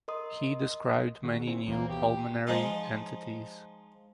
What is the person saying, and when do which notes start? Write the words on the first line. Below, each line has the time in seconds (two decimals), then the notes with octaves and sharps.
He described many new pulmonary entities.
0.08 A#4 D#5 C6 D#6
1.23 D#3 F#4 G#4
1.47 C4 E4 G#5
1.67 C#2 F#2 E3 A#3 C5
1.89 B2 G4
2.47 F3 G#3 D#4 F4